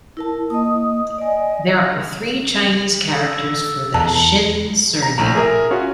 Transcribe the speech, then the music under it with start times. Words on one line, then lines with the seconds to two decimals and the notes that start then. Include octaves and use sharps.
There are three Chinese characters for the Shin surname.
0.17 E4 A#4 A5
0.50 A#3 D#5 D#6
1.18 D5 D#5 G#5
3.13 A4
3.94 E2 A5 A#5
5.03 A#5
5.18 A#1 A2 A#5
5.35 G#4 A#4 E5
5.71 C#4 F4 F#4